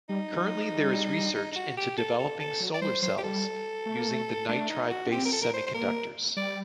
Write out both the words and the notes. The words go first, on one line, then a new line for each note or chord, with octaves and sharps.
Currently there is research into developing solar cells using the nitride based semiconductors.
G3 D#4
F#3
G3
D#4
D#4
F#4
G4
A4
A4
A4
F#3
D5
G3 C5
F#3 C5
G4
G3 A4
A3
A#3
A3
A3 D4
D#4
F#4
D4
C4 G4
A#4
A4
A#4
C5
C5
A#3 A#4
G3 D5